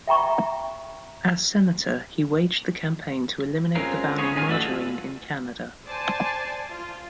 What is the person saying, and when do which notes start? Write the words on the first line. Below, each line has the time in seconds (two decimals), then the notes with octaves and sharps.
As Senator, he waged the campaign to eliminate the ban on margarine in Canada.
0.08 E5 G5 A#5 C#6
3.75 G#3 C4 C#4 F4 A#4
4.18 B3 C#4 F4 G#4 C#5
4.35 G#3 C#4 G#5 C6 F6
4.48 E3 A3 F#4 D5 E6
4.64 F4
5.85 C5 D5 G#5 A5
6.70 F4